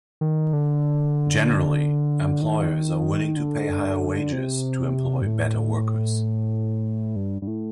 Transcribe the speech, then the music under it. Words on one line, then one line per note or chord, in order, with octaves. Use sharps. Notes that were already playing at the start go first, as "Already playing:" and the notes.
Generally, employers are willing to pay higher wages to employ better workers.
D#3
D3
D#3
D3
C3
G2
A2
G2
G2
A2